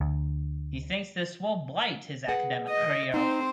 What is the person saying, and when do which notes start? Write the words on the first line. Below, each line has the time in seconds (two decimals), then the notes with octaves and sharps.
He thinks this will blight his academic career.
0.01 D2
2.28 G#4 B4 F#5
2.68 D#5
3.14 C4 D#4 C5